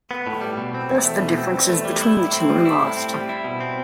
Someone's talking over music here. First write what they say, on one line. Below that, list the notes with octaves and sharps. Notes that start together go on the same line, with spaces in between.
Thus the differences between the two are lost.
B3
A2
G3
B2
C4
E2
A3
B2
C4
E2
A3
G3
E4
A2
C4
G3
E4
A2
C4
G3
E4
B2
C4